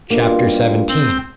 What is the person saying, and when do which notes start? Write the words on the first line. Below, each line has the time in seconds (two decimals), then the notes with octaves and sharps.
Chapter XVII.
0.10 G2 B2 G3 A#3 F4
0.89 C4 G6